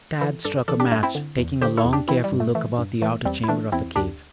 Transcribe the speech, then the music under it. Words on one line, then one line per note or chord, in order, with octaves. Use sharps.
Tad struck a match, taking a long, careful look about the outer chamber of the cave.
E3 E4 A4
G2 A4 D5
E3 A4 D5
D4 G4
G2 A3
C4 E4
D3
E2
D3 G4 C5
E4 A4
E2
D4 G4
E3 C4 E4
G3
G2
A3
E3 A3
G2
E3 A3
E2 G3 C4
E4
E3 A3 D4
E2 C4 E4
D2 D4 G4